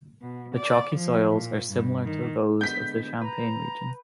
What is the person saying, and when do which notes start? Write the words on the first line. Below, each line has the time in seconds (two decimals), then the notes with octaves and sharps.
The chalky soils are similar to those of the Champagne region.
0.21 B2
0.54 D5
0.95 F3
1.32 A#2
1.70 G2
2.05 D#3
2.61 D3 G#3 B3 G6 B6
3.22 B4 A#5